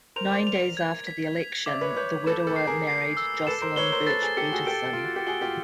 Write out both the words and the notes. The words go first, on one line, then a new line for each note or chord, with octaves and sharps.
Nine days after the election, the widower married Jocelyn Birch Peterson.
A#4 C5 F7
C5 D5
F7
G#6
B6
B6
D5 E5 D6
B4 C#5
B4 C#5 G6
A4 B4 E7
A4 B4
C7
G#4 A#4
C7
E6
A4 B4 E7
A#4 C5
B4 C#5 G7
A#4 C5
A4 B4 A6
G#4 A#4
G4 A4 C#7
F#4 G#4
G4 A4 D7
F4 D7
F#4
G4
F#4 G#4 G7
F4 G4